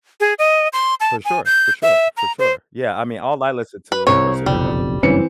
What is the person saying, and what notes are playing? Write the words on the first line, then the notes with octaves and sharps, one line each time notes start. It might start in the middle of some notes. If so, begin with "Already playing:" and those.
For sure, for sure, for sure. Yeah, I mean, all I listen to is personal development.
G#4
D#5
C6
A5
G#5
G6
E5
A#5
C5
B4
C2 C4 C#5
F#1 B1 F2 G3
F#1 G2 E3 C4 C#4 C#7